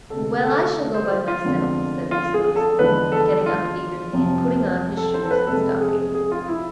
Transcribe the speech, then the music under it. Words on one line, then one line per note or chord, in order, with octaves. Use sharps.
"Well, I shall go by myself," said Veslovsky, getting up eagerly, and putting on his shoes and stockings.
D2 C3 G#3 A4
A4
C5
F4
F4
F1 F2 D3 G#3 B3
F4
G#4
A4
E2 D3 F3 G#3 B4
A4
F4
F2 C3 F3
A4
C5
A4
B4
F2 C3 G#3 C4 A4
G#4
G#4
F4
E4